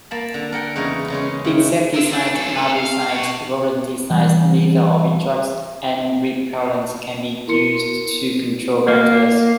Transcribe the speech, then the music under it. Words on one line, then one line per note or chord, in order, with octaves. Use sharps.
Insecticides, larvicides, rodenticides, Lethal ovitraps and repellents can be used to control vectors.
A#3 A5 B5
D3
A#4 F#5 G5
E2 C#3 D#4 A#4 C#5
C#3 G#3 C#4
C#3 E5 G5
A#4 E5
D4
F#3 A4
A4 B4
F5
B2 F#4
E3 G3
E4 A#4 C6 C#7
A#3